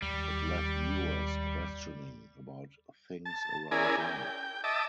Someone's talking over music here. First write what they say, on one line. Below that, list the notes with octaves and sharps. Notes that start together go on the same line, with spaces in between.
It left viewers questioning about things around them.
D#2 G3
A5
C#4 E4 G#4 A#4 D5 G#5
G5
D#5 E5 A5 D6